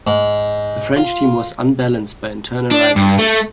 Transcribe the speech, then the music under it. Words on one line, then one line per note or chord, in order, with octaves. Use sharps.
The French team was unbalanced by internal rivalries.
G#2
F4
D4
G2
A3